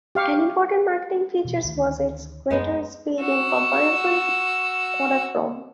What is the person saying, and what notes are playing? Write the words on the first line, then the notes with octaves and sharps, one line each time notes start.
An important marketing feature was its greater speed in comparison to Kodachrome.
G4 F5 C#6
B2 E3
D2 D#3
D#1 F#2 G#3 B3 D4 D#4
F#4 E6